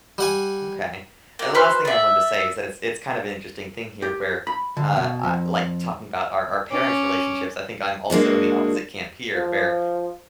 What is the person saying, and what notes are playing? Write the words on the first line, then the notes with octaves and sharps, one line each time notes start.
Okay, and the last thing I wanted to say is that it's it's kind of an interesting thing here where, uh, I like, talking about our our parents' relationships, I think I'm also in the opposite camp here where,
G3 F#5 G#5
A#3 F#4
F#4 B4 C5 F6
D5 E5
G4
B5
D3
B2
F2
C#4 D6
G#3 A#3 D4 F#4
F3